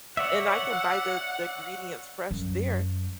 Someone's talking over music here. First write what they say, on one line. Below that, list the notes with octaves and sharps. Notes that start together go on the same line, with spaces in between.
and I can buy the the ingredients fresh there
C#5 D5 E5 F#5
F#2